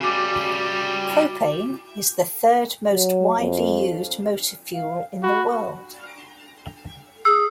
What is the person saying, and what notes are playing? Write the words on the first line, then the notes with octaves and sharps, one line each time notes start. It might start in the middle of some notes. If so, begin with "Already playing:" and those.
Propane is the third most widely used motor fuel in the world.
C#3 G3 F#4 D6
F#3
F2
F5
F#4 B5
G#4 E6